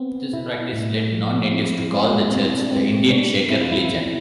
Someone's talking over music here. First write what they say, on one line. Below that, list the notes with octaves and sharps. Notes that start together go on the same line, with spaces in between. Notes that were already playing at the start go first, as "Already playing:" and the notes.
This practice led non-natives to call the Church the Indian Shaker Religion.
Already playing: B3 C4
B2 E4
A2
F3
C4 E4
G#3
B2 C4
E4
D4
G#3 C4
B2 D4
C4 E4
F4
E4
B2